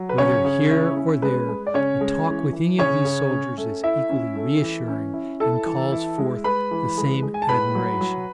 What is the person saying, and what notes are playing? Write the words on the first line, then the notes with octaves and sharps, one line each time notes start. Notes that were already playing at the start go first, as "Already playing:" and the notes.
Whether here or there, a talk with any of these soldiers is equally reassuring, and calls forth the same admiration.
Already playing: F#3
B4
C#3 C#4 C#5
C#3
E4
C#4
G#3 B4
G#3
D5
C#3 C#4 C#5
G#3
E3
E3
C#3 C#4 C#5
C#3
C#4
A3
E4 E5
C#4
A3
E3
C#4
E4
E4 A4 A5
E3
E4
G#3
G#3 B4 B5
E3
G#3
G#3
G#5
A5
A2 B4 B5
F#3
F#3